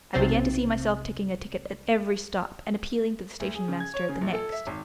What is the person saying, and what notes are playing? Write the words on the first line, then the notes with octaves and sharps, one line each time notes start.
I began to see myself taking a ticket at every stop and appealing to the station-master at the next.
B1 C3 C4 C5 A6 C7
D2
G#4
C#3
G#6
C#5
C#3
A#1
A4
E5
G#1